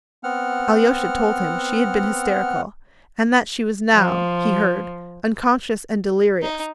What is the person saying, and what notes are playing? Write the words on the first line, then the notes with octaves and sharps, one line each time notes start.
Alyosha told him she had been hysterical, and that she was now, he heard, unconscious and delirious.
B3 C4 F#5 F6
F3
D#4